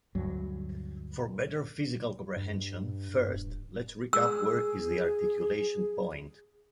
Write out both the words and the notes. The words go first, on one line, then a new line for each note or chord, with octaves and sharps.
For better physical comprehension, first, let’s recap where is the articulation point.
D2 G2 F#3
G2
G2
D#1
G#4 E6